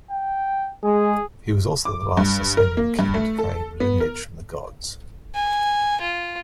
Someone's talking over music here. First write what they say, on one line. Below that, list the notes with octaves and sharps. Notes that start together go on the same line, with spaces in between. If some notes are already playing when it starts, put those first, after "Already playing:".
He was also the last Sasanian king to claim lineage from the gods.
G5
G#3 G#4
D6
G2
A#4
A#3
G2
A3
A4
B3
A#4
G#5
F4